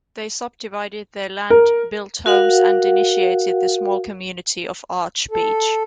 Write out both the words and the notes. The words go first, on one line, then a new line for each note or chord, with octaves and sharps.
They subdivided their land, built homes and initiated the small community of Arch Beach.
A#4
F#4 A#4 F5 F#5
A4